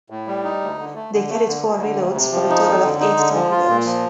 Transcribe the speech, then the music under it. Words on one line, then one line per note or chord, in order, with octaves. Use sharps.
They carried four reloads, for a total of eight torpedoes.
A2
G3
D#4
D2
D3
A3
D3
A3
D3
D2
D3
D2
C3
F3
D#4
F2
D3
D#4
D3
F3
F4
A#2
F3